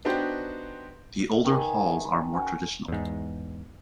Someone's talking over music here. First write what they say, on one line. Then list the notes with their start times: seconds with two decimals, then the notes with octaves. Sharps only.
The older halls are more traditional.
0.05 B3 D4 D#4 F#4 G4 C5
1.44 D#3 B4 G#5
1.86 A5
2.34 C#4 F#4
2.88 E2 G#2